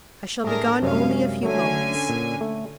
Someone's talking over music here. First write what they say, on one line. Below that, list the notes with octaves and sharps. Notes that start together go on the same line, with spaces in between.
"I shall be gone only a few moments."
A2 A3 D4 G#4 A#4
F#2 C3 G3 G#3 C#4 F5
D3 F#3 A3 C#4 G#5
A#2
A3